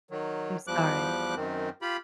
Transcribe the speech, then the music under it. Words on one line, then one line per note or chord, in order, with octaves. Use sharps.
I'm sorry.
D#3 F#3
E2 F3 G3 D6 F#6
F#2 D#3 C4
F4 G4 B5